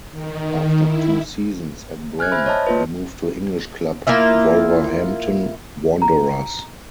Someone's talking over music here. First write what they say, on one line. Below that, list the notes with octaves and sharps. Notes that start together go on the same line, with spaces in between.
After two seasons at Brann he moved to English club Wolverhampton Wanderers.
D#3
E4
G#5 F6 F#6 G#6
C5 E5 B5
C#5 D#5 A5
A#3 F4 B4
A#3 E4 F4 E5
A#5